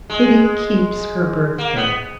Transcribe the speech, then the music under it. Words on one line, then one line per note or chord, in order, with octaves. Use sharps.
Kitty Keeps Her Birthday.
G#3
A#3
B3